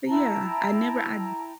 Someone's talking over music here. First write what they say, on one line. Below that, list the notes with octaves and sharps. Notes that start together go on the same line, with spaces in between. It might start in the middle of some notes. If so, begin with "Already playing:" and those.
But, yeah, I never I
E4 G5 A5 A#5